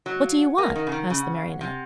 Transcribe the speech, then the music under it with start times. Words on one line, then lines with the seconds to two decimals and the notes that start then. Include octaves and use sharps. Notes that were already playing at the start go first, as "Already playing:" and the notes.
"What do you want?" asked the Marionette.
0.06 F#3 D#5
0.24 F5
0.40 F#5
0.58 A#3
0.75 D#3
0.87 C#3
0.92 D#3
1.09 C#3 G#5
1.22 F#5
1.35 F5
1.48 F#5
1.61 C3